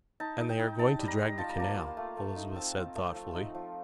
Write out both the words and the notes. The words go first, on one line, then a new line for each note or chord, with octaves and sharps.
"And they are going to drag the canal," Elizabeth said thoughtfully.
D#4 A5
D#4
G5
D#4
D#4 A5
G3
A#5
G3
F4 A5
A#5
A#3 A5
F4
A3
A3
D#4
C4 A5
C4
A3
F3
D#4
F3